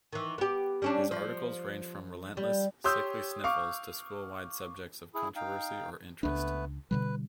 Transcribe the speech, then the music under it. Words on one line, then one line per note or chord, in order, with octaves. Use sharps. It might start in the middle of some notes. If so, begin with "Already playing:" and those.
His articles range from relentless sickly sniffles to school-wide subjects of controversy or interest.
D#3 E3
B3 G4
G3 C#4 D4
F3
G3
G4 C#5 C6 D#6 E6 G6
F5 C#6 D6
E4 G#4
D#4 F5 G5
C#2 A3 B3 D4 B4
B2 D3 G3 B4